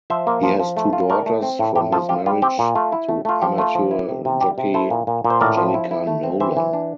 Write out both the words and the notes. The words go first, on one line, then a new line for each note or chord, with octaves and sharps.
He has two daughters from his marriage to amateur jockey Angelica Nolan.
F3 C5 E5
A#3
F3
F3
A3
F4
A3 A#4 D5
A3
C4
A2
A2 G4
F3 F4 A4
F4 G4
G3 F4
C4 G4
A#2
A3 F4
E4
A3
A3 F4
F3 G4
A3 F4
F3
E4
C3
C3
G3 G4
C3
E4 A4 C5
A#2
A#2
A#2
C5
A2 A#4 D5
F3
E4
E4
A3
C4
E3 C5 E5
E3
D4